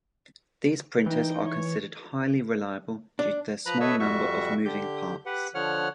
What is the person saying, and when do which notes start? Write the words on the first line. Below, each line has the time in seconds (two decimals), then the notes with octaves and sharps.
These printers are considered highly reliable due to their small number of moving parts.
1.06 E3 D#4 G5
1.47 C#5
3.19 D4
3.66 F3 B4 A#5 B5 F#6
3.80 A4 B4 C#5 D#5 E5 E6
4.00 F2 G3 F#4 E5 C#6
4.65 D3 G4 G6
5.26 G4 B4 F#5
5.55 D3 F3 C#5 F#5 F6